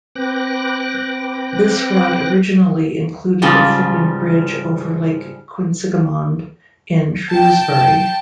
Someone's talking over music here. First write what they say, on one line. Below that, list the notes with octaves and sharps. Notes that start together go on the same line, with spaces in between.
This route originally included a floating bridge over Lake Quinsigamond in Shrewsbury.
C4 B4 G5 D6 F#6 A#6
G#2 C#3 F3 G3
G5 A5